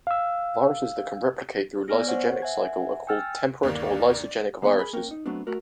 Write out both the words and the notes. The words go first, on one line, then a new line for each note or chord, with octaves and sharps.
Viruses that can replicate through the lysogenic cycle are called temperate or lysogenic viruses.
F5 E6
B3 D5 G#5 F6 A#6
C5 C#5 F#5
E5 F#5 G#5 G#6
G5 G#5 E6 F6 A6
G1 D#2 A#3 D5
D#3 A#3 B3 C#5 D#5
G#4 B5
A#3 C#4 A#4 G5
D#4
F#3 A3 B3 C4 D4
A3 F#4 A#4